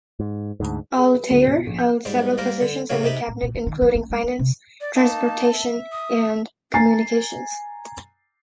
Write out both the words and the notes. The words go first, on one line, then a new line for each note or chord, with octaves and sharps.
Al Tayer held several positions in the cabinet including finance, transportation and communications.
G#2
D2 G#2
G#4
B4
D2
B2
A#1
G6
G#2 G3 C5
G3 A#3 A#4 C5
D3
A2 C#3 F#3 A#3
C3 D#4 G4 B5
A2
A#2
E3
D#3
F3
B3
G#3
A#3
C3
D5
A#3 D#4 A5
E5
D#6
G#5 A#5 A6 C7